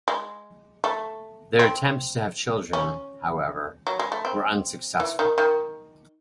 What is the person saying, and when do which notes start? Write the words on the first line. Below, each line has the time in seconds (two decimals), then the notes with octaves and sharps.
Their attempts to have children, however, were unsuccessful.
0.08 G#3
0.84 A3
1.59 C4
2.73 C#4
3.87 F#3
3.99 G#3
4.12 A3
4.25 C4
5.00 E3
5.19 D#3
5.38 D#3